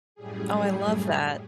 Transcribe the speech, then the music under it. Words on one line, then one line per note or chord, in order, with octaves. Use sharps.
Oh, I love that.
F#2 A2 G3 G#4